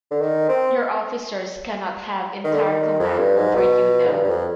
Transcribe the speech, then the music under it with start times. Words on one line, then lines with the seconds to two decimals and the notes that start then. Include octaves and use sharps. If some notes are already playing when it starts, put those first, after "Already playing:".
Your officers cannot have entire command over you now.
0.11 D3
0.21 D#3
0.49 C4
2.44 D#3
2.53 D3
2.62 D#3
3.00 F2
3.19 G2
3.36 G#2
3.55 B2
4.06 G#2
4.11 G2
4.24 G2
4.29 F2